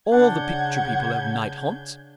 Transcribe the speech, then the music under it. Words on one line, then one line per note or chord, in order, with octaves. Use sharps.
All the picture people have night haunts.
C#3 D4 F#5 G6 G#6